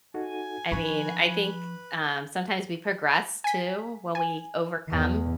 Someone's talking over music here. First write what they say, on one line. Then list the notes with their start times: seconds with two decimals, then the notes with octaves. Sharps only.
I mean, I think, um, sometimes we progress too when we overcome,
0.14 D#4 F#4 A4 G#5
0.72 F3 D4 B4 B5 C#6
3.44 G#5 B6
4.15 G#5
4.90 E2